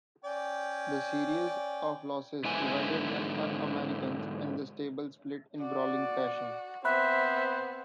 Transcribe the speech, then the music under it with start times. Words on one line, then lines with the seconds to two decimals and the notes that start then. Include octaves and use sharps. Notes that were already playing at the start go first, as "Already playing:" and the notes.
The series of losses divided The Un-Americans, and the stable split in brawling fashion.
0.25 C#4 D5 G5
2.45 G#2 D3 B3 E4 G#5
5.60 F#4 D5
6.85 B3 C4 C5 E5 B5 F#6